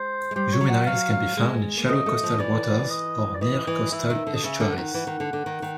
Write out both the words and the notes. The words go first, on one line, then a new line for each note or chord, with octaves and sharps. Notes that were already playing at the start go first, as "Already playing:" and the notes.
Juveniles can be found in shallow coastal waters or near coastal estuaries.
Already playing: G#3 C5
G#3
G3 C5
C#5
F#3
F#5
F#3 F5
F5
G#3
A#3
A3 D#5
A3
F3
E3 D5
D#5
D5
E3 D#5
E3
E3 E5
D#3
D3
D#5
C#3 E5
D3
F#5
D#3
E3
D#3
D3
D3
D#3
D#3